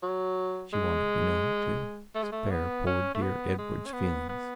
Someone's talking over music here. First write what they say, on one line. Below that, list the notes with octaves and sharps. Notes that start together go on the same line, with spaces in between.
She wanted, you know, to spare poor dear Edward's feelings.
F#3
G#3
A3
G#3
A3
B3
C#4
A3
B3
G#3
C#4
B3
B3